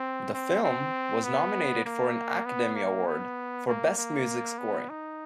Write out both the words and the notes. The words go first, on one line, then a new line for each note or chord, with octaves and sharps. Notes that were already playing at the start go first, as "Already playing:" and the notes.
The film was nominated for an Academy Award for Best Music Scoring.
Already playing: C4
C4
C4
B3
A#3
B3
A#3
B3
A#3
A#3
B3
D#4